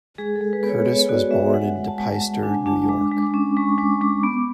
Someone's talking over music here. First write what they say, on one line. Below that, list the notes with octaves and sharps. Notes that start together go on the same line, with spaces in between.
Curtis was born in De Peyster, New York.
G#3 G#4
A4
G#3
B4
B3
C#5
B3 C#5
F#4 D5
G#3 E5
G#3 F#5
G#3
A5
G#3
G#3
D4 G#5
D4 A5
G#3 D6
G#3
D6
C#4
G#3 C#6
G#3 D6
G#3 D6
B3